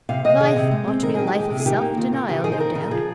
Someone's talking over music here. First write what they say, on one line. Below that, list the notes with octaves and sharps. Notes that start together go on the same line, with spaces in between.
Life ought to be a life of self-denial, no doubt.
C3 F5
C3 D#5
D#3 G#4
C3
G#3
C4
D#3 A#4
D#3 G#4
G4
G#3 G#4
C3
G#4
D#3 G4
A#3
C#3 F4
C#3
D#3 G4
D#3 G#4
C5
C#3 A#4
C#3
F3 G#4